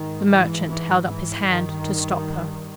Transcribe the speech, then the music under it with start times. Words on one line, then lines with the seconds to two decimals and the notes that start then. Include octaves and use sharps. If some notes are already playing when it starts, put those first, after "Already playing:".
The merchant held up his hand to stop her.
Already playing: G#2 D#3
0.27 E3
0.67 E3
1.08 E3
1.48 G2 D#3